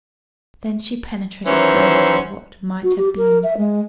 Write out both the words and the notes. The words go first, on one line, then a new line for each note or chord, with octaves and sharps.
Then she penetrated farther into what might have been.
D#3 E3 F#3 C#4 C5
F#4
G4
A#4
E5
G#3